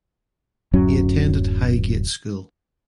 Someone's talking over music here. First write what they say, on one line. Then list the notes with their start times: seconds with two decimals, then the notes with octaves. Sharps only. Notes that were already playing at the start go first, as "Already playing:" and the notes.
He attended Highgate School.
0.73 D1 F#2 F#3 C#4